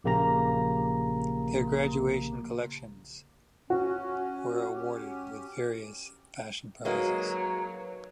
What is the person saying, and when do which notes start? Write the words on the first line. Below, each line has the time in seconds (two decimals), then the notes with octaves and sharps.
Their graduation collections were awarded with various fashion prizes.
0.04 A#1 C#3 A#3 G4 A#5 A#6
3.70 C#4 F#4
4.74 C#4 G4
6.85 F#3 G#3 A#3 D#4 F#4 B4 C#5